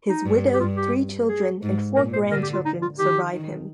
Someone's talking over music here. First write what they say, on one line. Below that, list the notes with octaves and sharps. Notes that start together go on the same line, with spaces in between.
His widow, three children, and four grandchildren survive him.
D#4
G2
G4
G2 F4
G4
G#4
G#2
A#2 A#4
C5
D3 A#4
G4
F4
D#4
F4
D#3 G4
D#3